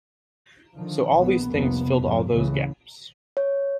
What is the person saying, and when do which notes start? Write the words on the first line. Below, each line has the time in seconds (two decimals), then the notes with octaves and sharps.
So all these things filled all those gaps.
0.75 D3 D#3 F3
1.15 A#1 B3
1.51 F1 C2 F2 C3 A#3 B3
1.97 A#1 F2 G#2 F3
2.32 C#2 A2 C#3 E3
3.37 C#5